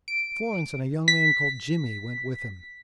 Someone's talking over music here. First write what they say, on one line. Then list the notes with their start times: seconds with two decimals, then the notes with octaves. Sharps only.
And Florence and a young man called Jimmy went with him.
0.08 D7
1.08 B6